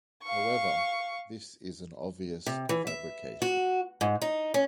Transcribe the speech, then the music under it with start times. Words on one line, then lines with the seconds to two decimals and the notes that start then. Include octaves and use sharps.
However, this is an obvious fabrication.
0.24 F5 C#6
2.46 C3
2.69 E3
2.87 E5
3.42 F#4
4.01 G#2
4.22 D#4
4.54 C#4